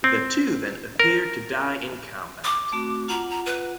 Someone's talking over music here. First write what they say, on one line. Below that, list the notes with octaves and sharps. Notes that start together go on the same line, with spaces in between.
The two then appear to die in combat.
C4
A#4
D6
A3 C4 F#4
F4 F#5 A#5
A#5
B4